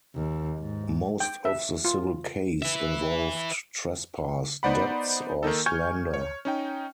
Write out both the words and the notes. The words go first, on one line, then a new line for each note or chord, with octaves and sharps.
Most of the civil case involved trespass, debts or slander.
D#2
G#2
G5
E5
F4
B4 E5
B3 D#4 C5 D5 F#5 B5
D#3 A#3 D#4 A4
G#5 C#6 F6 G6 G#6
C#5
C#4 D#4 G5